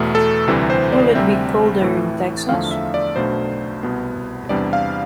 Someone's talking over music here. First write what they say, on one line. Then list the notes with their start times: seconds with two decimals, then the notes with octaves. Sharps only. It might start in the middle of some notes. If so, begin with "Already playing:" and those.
Will it be colder in Texas?
Already playing: E2 B2 A3
0.15 A4
0.48 D2 C3 E3 G3 C4
0.70 C5
0.92 D5
1.15 D2 C3 G3 C4 E5
1.82 A2 E3 A3
2.49 E2 D3 F3 A3 F5
2.71 E5
2.94 D5
3.16 B1 B2 A3 D4 C5
3.83 C2 B2 B3
4.49 E2 C3 G3 B3 D4 D5
4.73 F5